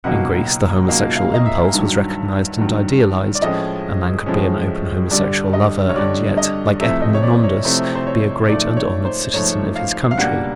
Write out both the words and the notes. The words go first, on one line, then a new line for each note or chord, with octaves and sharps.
In Greece the homosexual impulse was recognized and idealized; a man could be an open homosexual lover, and yet, like Epaminondas, be a great and honored citizen of his country.
C#2 B2 F#3 A#3 D#4 F#5
C#2 B2 F#3 A#3 D#4 F5
F5
D#5
E5
G2 D#3 F#3
G2 D#3 F#3
D5
A2 F3 G#3 C#4 D#5
A2 F3 G#3 C#4
G2 D3 G3 D5
D#5
C#5
G2 D3 G3 D5
D#5
C3 F3 A3 C4 E4 E5
D#5
C#5
D5
C#5
C3 F3 A3 C4 E4 C5
C5
C#5
G#2 F3 A3 D5
C#5
C5
G#2 F3 A3 C#5
F5
F5
C#2 B2 G3 A#3 D4 F#5